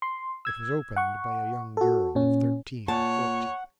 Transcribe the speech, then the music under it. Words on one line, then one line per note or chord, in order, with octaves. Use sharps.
It was opened by a young girl of thirteen or fourteen.
C6
E6 G#6
F#5 C#6
F#4 A4
A#2 C#4
A#2 C#5 F#5 A5